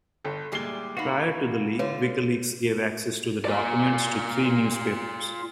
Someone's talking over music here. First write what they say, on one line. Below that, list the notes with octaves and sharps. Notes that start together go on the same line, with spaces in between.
Prior to the leak, WikiLeaks gave access to the documents to three newspapers.
G1 A4
E2 A#2 G3 G#3 C7 G7
B3 D#4 F#4 F5 B5
D3 F4 B4 C#5
F4 D5